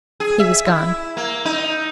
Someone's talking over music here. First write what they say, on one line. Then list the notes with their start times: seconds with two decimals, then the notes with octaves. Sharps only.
He was gone.
0.20 G#4
0.40 E5
0.66 E4
1.17 A#3
1.45 D#4